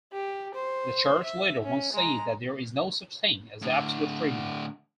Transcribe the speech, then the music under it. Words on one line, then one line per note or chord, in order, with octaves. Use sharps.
The Church leader once said that there is no such thing as absolute freedom.
G4
C5
E5
C#4
G#3 A#5
A2 D3